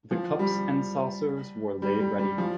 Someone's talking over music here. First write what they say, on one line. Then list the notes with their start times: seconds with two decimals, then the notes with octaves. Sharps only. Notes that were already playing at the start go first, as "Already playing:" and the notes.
The cups and saucers were laid ready.
0.11 F3
0.39 G3
1.82 G3
2.00 G3
2.19 G3
2.38 F3